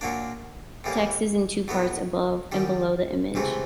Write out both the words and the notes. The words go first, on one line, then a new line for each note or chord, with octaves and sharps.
The text is in two parts, above and below the image.
A#2 F#3 A#3 D4
A2 E3 G3 A#3
A2 F#3 B3
F#2 D#3 G3
C#2 C3 E3 A3